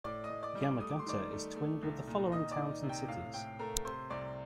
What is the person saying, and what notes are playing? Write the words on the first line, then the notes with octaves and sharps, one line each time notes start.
Yamagata is twinned with the following towns and cities.
A2 D5 D6
D#5 D#6
A2
D5 D6
G3
D5 D6
A3 D#6
D6
C6
D#3 D5 D6
A3
A3
C2
A#2
D#3 D#5 D#6
D5 D6
D#3
C3
G5
A2 F5
A2 G5
A3 A#4 A#5
C3 C5 C6
C2 D5 D6